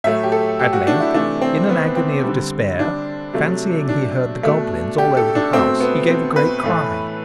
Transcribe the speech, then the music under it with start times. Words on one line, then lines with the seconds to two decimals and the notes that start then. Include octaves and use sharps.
At length in an agony of despair, fancying he heard the goblins all over the house, he gave a great cry.
0.04 A2 F#3 A3 E5
0.23 G4
0.32 A4
0.59 G4
0.73 F#4
0.87 D4
1.00 E4
1.14 C3 E3 A3 D4
1.41 C4
1.69 B3
1.96 C4
2.24 D3 G3
2.79 D4
3.33 C3 F#3 A3
3.89 D4
4.43 B2 A3
4.98 G4
5.17 A4
5.35 D4
5.53 B2 A3 C4
5.80 B3
6.08 C4
6.36 B4
6.63 A2 E3 A3